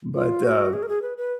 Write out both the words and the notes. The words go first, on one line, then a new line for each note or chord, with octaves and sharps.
but, uh,
F4
F#4
G#4
A#4
G#4
B4
B4